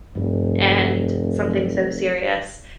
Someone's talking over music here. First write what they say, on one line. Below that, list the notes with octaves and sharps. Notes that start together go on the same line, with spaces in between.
and something so serious
F1 G2